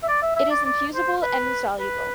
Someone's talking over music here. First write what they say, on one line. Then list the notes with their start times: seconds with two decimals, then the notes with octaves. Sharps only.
It is infusible and insoluble.
0.03 E5
0.08 D5
0.22 E5
0.36 E5
0.51 D5
0.65 D5
0.94 C5
1.23 B4
1.79 B4